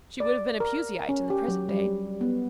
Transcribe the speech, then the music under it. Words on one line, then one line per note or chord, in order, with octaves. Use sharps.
She would have been a Puseyite in the present day.
D5
A#4
C#4
G4
F#3
G3
B3